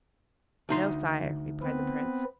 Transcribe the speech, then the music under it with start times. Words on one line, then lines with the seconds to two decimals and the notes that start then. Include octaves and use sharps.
'No, sire,' replied the Prince.
0.69 D2 D#4 C6
1.62 B3 C4 B4